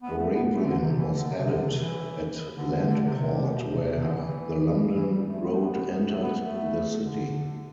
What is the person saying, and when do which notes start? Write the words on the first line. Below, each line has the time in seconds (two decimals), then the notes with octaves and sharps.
A ravelin was added at Landport where the London road entered the city.
0.02 B3
0.18 A3
0.34 B3
0.56 A3
0.66 D3
0.82 C3
0.97 E3
1.13 D3
1.30 C3
1.45 D3
1.61 C3
1.78 E3
2.57 D3
2.72 D3
2.88 D3
3.05 C3
3.53 B2
3.68 C3
3.84 C3
4.00 D3
4.16 E3
4.95 E3
5.11 G3
5.27 A3
5.44 B3
5.54 A3
5.64 B3
6.08 A3
6.23 B3
6.39 A3
7.03 D3